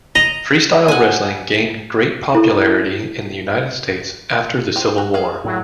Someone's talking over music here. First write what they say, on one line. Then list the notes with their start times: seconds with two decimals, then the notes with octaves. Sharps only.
Freestyle wrestling gained great popularity in the United States after the Civil War.
0.15 D#5 A#5
0.88 F#5 G#5
2.35 E4 A4
4.76 G4 C5
4.98 F#4
5.14 G#4 F5
5.44 A2 F#3